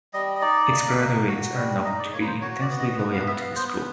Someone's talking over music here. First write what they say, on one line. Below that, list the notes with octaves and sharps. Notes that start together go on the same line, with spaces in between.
Its graduates are known to be intensely loyal to the school.
G3 D#5
D#5
D#4 D5
A#3
A#3
F#4
G3
D#4 D#5
D5
A#3 C#5
B4
C5
F#4 C#5
D5
B3
D#5
B3 F#5
F5
B3 E5
F5
B3 C5